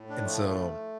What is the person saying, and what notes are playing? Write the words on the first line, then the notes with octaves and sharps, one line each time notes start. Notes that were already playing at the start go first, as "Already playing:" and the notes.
And so
Already playing: A2
D4
F3 A3